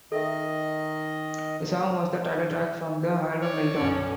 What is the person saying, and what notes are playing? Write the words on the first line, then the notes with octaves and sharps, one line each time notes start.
The song was the title track from the album "Meltdown".
D#3 A4 A#4 D#5 E5
C#5 D5
B1 F#2 C#4 A4